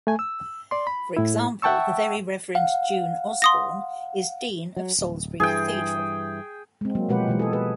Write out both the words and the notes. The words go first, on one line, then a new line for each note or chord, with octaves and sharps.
For example, the Very Reverend June Osborne is Dean of Salisbury Cathedral.
A3 G#5
E6
D5 C6
B5
A2 E4
E5 F#5 G5 A5 C#6 E6
F5 F#5
C6 D#6 A#6
F#3
D1
G2 E3 G#4 G5
G#3 C4
F#3 A#3
B2 F3 G#3 G4 B4 F#5
B2 E3 G#3
G#4 A4
G#4 B4